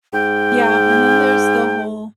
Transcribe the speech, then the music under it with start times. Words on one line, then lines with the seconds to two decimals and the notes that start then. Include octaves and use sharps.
Yeah, and then there's the whole
0.13 G#2 G5